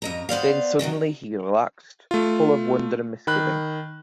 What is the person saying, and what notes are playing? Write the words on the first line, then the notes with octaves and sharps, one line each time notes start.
Then suddenly he relaxed, full of wonder and misgiving.
F2 D#5 A#5
B3 C5 D5 F5
C3 D#3 E3 F#3
A3 F4
D#3 B5 F#6